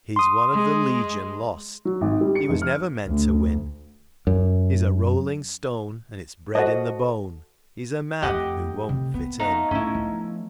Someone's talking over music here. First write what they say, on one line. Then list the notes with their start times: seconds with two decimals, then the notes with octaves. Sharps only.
He is one of the Legion Lost; He was never meant to win; He's a rolling stone, and it's bred in the bone; He's a man who won't fit in.
0.16 C6 D#6
0.53 G#3
1.85 F#3
2.01 G#1
2.21 G3
2.35 C#7
2.49 F1
2.62 F6
3.07 D2
4.27 F#2
6.55 F#4 A4 C5 D#5 A5
8.22 F2 A2 G4 D#5 F#5 G5
8.89 C3
9.14 A#3 B3
9.40 A3 D#4 D#5 F5 F#5
9.71 A2 A3 C#4 E4 F4
9.94 F3 D4